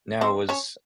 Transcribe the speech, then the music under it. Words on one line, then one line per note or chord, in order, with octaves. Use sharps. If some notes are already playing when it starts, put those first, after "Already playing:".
Now was
C4 C5
C#4 C#5